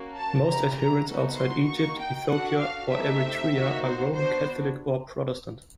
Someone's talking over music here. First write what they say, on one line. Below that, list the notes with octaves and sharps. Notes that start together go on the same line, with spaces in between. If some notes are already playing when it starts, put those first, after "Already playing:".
Most adherents outside Egypt, Ethiopia and Eritrea are Roman Catholic or Protestant.
Already playing: A#3 C#4 F#4
A5
C#4 E4 G4 A#5
A#5
B3 D#4 F#4 A4
C6
A#3 D#4 F#4 C#6
G5
D4 F#4 A4 F#5
F5
A3 C4 D#4 G4 E5
A#3 D#4 F#4
C5
B3 D4 F#4 C5